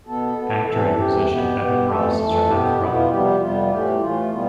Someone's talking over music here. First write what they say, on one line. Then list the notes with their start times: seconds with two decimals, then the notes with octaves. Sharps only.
Actor and musician Evan Ross is her half-brother.
0.06 B2 B3 A4
0.37 B2 B3
0.67 E2 C3 E3 A4
0.98 E2 C3 E3 G4
1.28 B2 B3
1.58 B2 B3
1.88 F2 E3 A3 A4
2.18 F2 E3 A3
2.49 B2 B3 G4
2.79 B2 B3 E4
2.93 F4
3.09 F2 C3 G3 B3 G4
3.39 F2 C3 G3 B3 F4
3.69 A2 E3 A3 G4
4.00 A2 E3 A3 F4
4.30 B2 G3 B3 F4